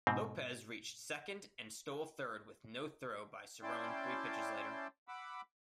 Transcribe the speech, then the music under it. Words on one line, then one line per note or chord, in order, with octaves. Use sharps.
Lopes reached second and stole third with no throw by Cerone three pitches later.
G#2 B2 C4
C#4 E4 D5 G5 A5 C6
F#5 B5 D6 E6